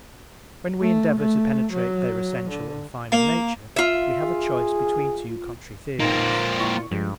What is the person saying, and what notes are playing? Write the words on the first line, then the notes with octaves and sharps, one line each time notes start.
When we endeavour to penetrate their essential and final nature, we have a choice between two contrary theories.
A3
A3
F#3
D3
A#3
F4 E5
G#4
A#2 A#3 C4 D#4 F4
A#2
E4 C#6
G2 F3 G#3